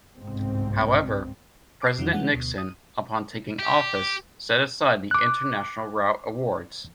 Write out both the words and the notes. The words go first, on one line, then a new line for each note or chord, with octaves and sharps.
However, President Nixon, upon taking office set aside the international route awards.
G1 C2 G#2 C#3 C4
D6 F6 C7
F2 D#3 E3 F#3
E3 G#3 F#5
D2 B2
D#6
G4
D6 F#6